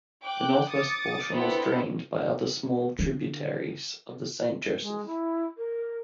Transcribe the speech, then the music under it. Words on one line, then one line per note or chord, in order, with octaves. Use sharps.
The northwest portion is drained by other small tributaries of the Saint Joseph.
G5 D6 F#6
D6 D#6 A6 C#7
B3 C4 D4 E4 A4 B4
D3
G#3
E4
A#4